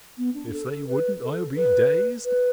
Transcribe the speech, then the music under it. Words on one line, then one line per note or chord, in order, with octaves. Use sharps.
If they wouldn't I'll be dazed!
B3
D4
A4
A4
B4
B4
A4
B4
B4